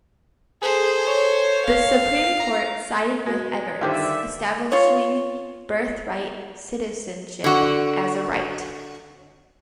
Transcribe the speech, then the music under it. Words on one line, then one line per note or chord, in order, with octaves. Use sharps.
The Supreme Court sided with Evarts, establishing birthright citizenship as a right.
G#4 A4 C5
C#5
F5
A#5
B2 G#3
G2 D3 D#3 F4 G4 C5 D5 E5
F4 C#5
D3 F#4